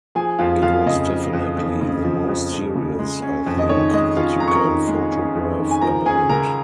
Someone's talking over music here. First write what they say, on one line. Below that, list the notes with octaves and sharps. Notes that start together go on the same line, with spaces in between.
It was definitely the most serious, I think, that you can photograph a band.
F3 G#4 G#5
F2 F4 F5
F2 F4 F5
C#3 D#5
F3
F2
F2
C#3
F3
F2
F2
C#3
G#3
C#4
F2
D#5
D#3 C#5
G#3 D#5
C#4 F4 F5
F2 A#5
C#6
A#4 A#5
D#3
G#3
C#4
F2
D#3
G#5
F3 A#4 A#5
C#4 G#4 G#5
C#2 A#4 A#5